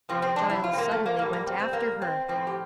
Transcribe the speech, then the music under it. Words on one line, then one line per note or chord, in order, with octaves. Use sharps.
Giles suddenly went after her.
C3 F3 C4
C4
D4
E4
F4
C4
A#3
A3
A#3
A2 G3 A#3
A#3
C4
C4
A#3
C4
A2 F3 C4
G4